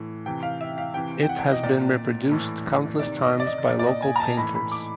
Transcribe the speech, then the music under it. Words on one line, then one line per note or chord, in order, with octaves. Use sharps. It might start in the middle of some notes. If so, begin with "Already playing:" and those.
It has been reproduced countless times by local painters.
Already playing: A2 E3
C3 E3 G5
F5
E5
F5
C3 E3 G5
G5
F#5
D#5
A#2 D5
A2 E3
C3 D#3 D5
D#5
D5
D#5
A#2 D5
D5
D#5
G#5
A#5
A5
A2 E3 B5
B5
D6